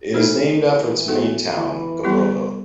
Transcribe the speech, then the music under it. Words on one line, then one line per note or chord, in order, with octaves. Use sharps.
It is named after its main town - Gabrovo.
E3 A3 D#4 A4 C5
E3
B3 F#4 A4
E3
G3 B3 E4 G4